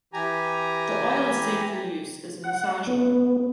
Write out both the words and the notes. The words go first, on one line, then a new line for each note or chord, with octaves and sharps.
The oil is safe for use as a massage oil.
E3 G4 G#5 A#5
F#5
B3